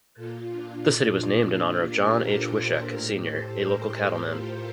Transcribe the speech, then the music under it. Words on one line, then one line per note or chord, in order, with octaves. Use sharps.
The city was named in honor of John H. Wishek, Senior a local cattleman.
A#2 F4 A4
D4
D4 F4
G4 A#4
A4 C5
G4 A#4
A2 G4 A#4
A4 C5
G4 A#4
G4 A#4
F4 A4